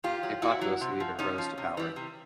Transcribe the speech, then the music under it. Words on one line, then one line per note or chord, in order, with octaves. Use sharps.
A populist leader rose to power.
A#2 F4 G4
F#3
A#2 E4 F#4
F#3
C3
F3
C3 C#4 D#4
F3
C3
E3 G3
C3